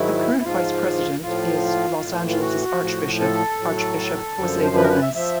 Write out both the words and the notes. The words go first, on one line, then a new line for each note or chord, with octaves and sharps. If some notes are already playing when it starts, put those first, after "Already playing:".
The current Vice President is Los Angeles's archbishop, Archbishop Jose Gomez.
Already playing: G#2 D#3 F#3 E4
E4
G#2 F3 F4
A2 F3 F4
A2 E3
F4
F#4
A2 F3
A4
A2 F#3
F#2 D3 F3
C5
B4
A#4
B4
E5
F3 E5